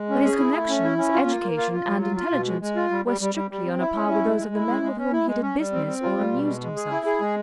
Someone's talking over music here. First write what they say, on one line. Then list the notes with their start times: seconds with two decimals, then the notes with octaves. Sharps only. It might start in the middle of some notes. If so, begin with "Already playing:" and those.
But his connections, education and intelligence were strictly on a par with those of the men with whom he did business or amused himself.
Already playing: G#3
0.10 C#4
0.25 G#4
0.38 E4
0.54 A3
0.68 C#4
0.84 E4
0.98 C#4
1.13 F4
1.28 A#3
1.42 A#3
1.57 F4
1.72 F4
1.86 F#3
2.01 F4
2.16 F4
2.32 B2
2.46 G#3
2.61 G#3
2.76 F4
2.91 G3
3.06 G3
3.21 G3
3.35 G3
3.51 G3
3.65 C4
3.80 E4
3.95 C#4
4.09 E4
4.25 G#3
4.38 G#3
4.54 E4
4.68 G#3
4.83 G#3
4.98 C#4
5.12 E4
5.27 G#3
5.42 C#4
5.58 G3
5.73 C4
5.87 C4
6.02 F4
6.17 G3
6.32 B2
6.46 G#3
6.61 G#3
6.76 G#4
6.91 E4
7.06 G#4
7.21 G#3